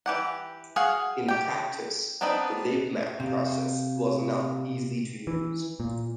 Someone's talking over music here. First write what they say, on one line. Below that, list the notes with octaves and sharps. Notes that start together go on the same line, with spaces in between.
In practice, the Lippmann process was not easy to use.
E3 G4 F#5
F#4 G#4 F5 F#5
G4 G5
B3 C4 D4 D#4 B4
C3 C4 G4 F5
E3
A#2